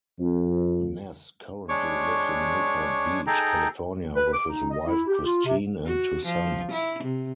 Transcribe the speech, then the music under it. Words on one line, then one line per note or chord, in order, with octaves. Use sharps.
Ness currently lives in Newport Beach, California with his wife Christine and two sons.
F2
G#3 D4 C#5 C#6 D6
D#4 G#4 A4 G5 A#5
B4
D6
D#4
D#5
E4
G4
F4
C3
F#4
F3
E4
C3